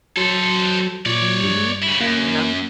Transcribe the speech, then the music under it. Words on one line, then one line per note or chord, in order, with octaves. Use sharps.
Mhm, yep.
F#3 A4 C5
A#2 C#5 D5
G2
C#3 E4
F#2 A#3